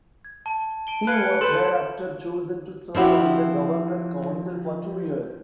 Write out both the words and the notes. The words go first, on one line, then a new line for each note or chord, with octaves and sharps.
He was thereafter chosen to serve on the Governor's Council for two years.
G#6
A5
A5 D7 G7
B4 F5 G#5 F#6 C#7
A4 B4 C5 C6 G6 E7
F3 C4 E4 F#4 G4